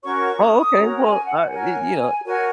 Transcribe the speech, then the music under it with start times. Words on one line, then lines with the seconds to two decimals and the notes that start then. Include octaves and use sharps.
oh, okay, well, uh, y you know, eh
0.03 C#4 F#4 A#4 C#5 C#6
0.39 D#6
0.77 C#4 F#4 A#4 C#5 A#5
1.02 G#5
1.26 F#5
1.51 F#4 A#4 C#5 G#5
2.25 F#4 A#4 C#5 G#5